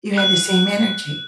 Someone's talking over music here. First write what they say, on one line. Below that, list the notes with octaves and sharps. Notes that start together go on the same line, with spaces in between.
You had the same energy.
F#6